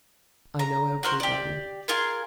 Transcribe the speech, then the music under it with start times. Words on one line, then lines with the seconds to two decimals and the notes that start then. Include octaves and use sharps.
I know everybody.
0.59 A#5
1.03 F#4 A#4 C5
1.20 G4 D5
1.88 F4 G#4 A#4